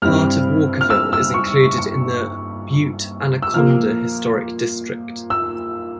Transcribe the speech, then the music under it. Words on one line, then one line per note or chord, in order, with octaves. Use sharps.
Part of Walkerville is included in the Butte-Anaconda Historic District.
G2 G3 C4 E4 F6
F6
E6
E6
C#6
C#6
E6
A#2 F3 A#3 F6
E6